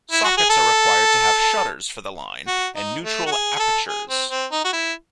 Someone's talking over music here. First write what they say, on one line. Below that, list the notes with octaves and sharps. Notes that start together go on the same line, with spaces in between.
Sockets are required to have shutters for the line and neutral apertures.
E4
F#4
G#4
A4
F#4
D#4
A3
F#4
G#4
G#4
A4
G#4
C4
C4
D#4
F#4
E4